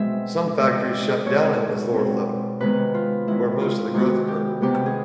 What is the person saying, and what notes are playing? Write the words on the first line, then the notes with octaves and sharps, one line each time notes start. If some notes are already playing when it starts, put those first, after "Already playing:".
Some factories shut down in Lesotho, where most of the growth occurred.
Already playing: B2 G#3 C4 E5
B2 G#3 C4 D#5
D5
B2 G#3 C4 C#5
B2 G#3 C4
C3 D#3 G#3 B3 B4
F4
C3 D#3 G#3 B3 E4
F4
C3 D#3 G#3 B3 F#4
G4
C3 D#3 G#3 B3 G4
G#4